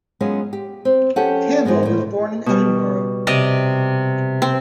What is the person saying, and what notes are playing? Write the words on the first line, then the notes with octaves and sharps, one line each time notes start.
Campbell was born in Edinburgh.
F#3 G#3 B3 C#4 F4
G4
C4
F3 C#4 G4 A4 F#5 G5
G#2 F3 G#3 B3
A2 C5
B2 G3
C3 D5 D#5
C4